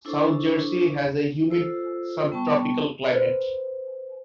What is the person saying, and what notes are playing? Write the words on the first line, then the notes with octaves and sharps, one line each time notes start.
South Jersey has a humid subtropical climate.
D4 E4 A4 C5 C#6 D6
F4 A4 C5 E6
G3 B3 G5 A5 C#6
B4 C5